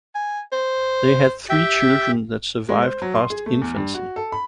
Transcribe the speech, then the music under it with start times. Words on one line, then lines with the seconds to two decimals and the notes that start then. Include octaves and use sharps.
They had three children that survived past infancy.
0.15 G#5
0.53 C5
1.49 G4 E5 G5
2.69 G#3
2.82 C5
3.02 F#3
3.15 C6
3.30 G#4
3.46 A3
3.61 E2
3.75 G2
3.94 F#4
4.16 A4
4.32 B5